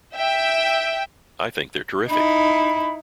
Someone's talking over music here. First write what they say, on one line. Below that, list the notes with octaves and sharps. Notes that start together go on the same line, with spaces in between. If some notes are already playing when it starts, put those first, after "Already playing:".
I think they're terrific.
E5 G5
D#4 E4 B5